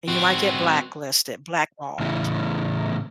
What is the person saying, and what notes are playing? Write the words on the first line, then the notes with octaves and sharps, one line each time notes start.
And you might get blacklisted, blackballed.
C4 F#4
A2 C#3 E3